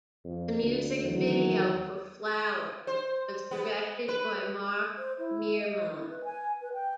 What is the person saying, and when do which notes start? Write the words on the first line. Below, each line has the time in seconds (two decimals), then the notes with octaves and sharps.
The music video for "Flower" was directed by Mark Miremont.
0.24 F2
0.62 D2
1.04 E2 D#3 F#3
2.87 C5
3.51 B3
4.08 B4
4.98 C5
5.19 E4
5.59 D#5
5.92 E4
6.09 B4
6.24 G#5
6.61 B4
6.73 G5